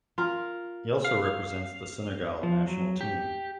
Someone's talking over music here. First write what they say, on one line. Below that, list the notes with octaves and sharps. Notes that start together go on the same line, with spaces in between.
He also represents the Senegal national team.
F4 A#4
F5
F3
F#3
G4